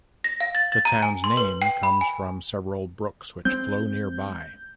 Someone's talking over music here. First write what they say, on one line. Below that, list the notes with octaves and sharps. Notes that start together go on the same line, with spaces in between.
The town's name comes from the several brooks which flow nearby.
A#6
F5
A6
A6
A#5
G#5
C6
B4
G5
B5
G#5
G#3 C4 G6